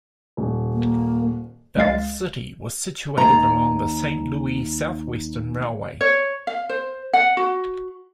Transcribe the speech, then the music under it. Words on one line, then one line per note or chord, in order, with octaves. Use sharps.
Bell City was situated along the Saint Louis Southwestern Railway.
D#1
A#3
C#2 G#3 F5 A6
D#2 A#5
C#5
F5
C5
F#5
F#4